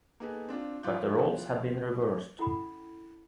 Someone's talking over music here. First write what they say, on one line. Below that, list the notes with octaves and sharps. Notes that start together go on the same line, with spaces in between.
But the roles had been reversed.
A#3 B3 D#4 G#4 A4 B4
C4 D4 F4
F3 E4 F4 D6 F#6 G6
C#4 E4 A4 F#5 G5 B5